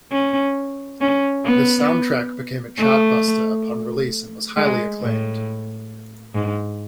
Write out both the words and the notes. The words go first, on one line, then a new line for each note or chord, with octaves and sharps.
The soundtrack became a chartbuster upon release and was highly acclaimed.
C#4
C#4
B3
A3
G#3
A2
G#2